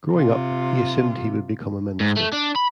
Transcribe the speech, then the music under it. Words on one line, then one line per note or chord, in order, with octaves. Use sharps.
Growing up, he assumed he would become a minister.
C3 F4
G#2
A3
D4
B5